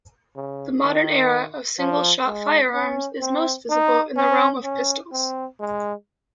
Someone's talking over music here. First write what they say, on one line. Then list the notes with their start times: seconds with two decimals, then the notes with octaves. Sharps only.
The modern era of single-shot firearms is most visible in the realm of pistols.
0.36 C#3
0.84 D#3
1.79 F3
2.26 G#3
2.74 C#4
3.21 C4
3.70 D#4
4.17 C#4
4.64 C#4
5.12 C4
5.60 G#3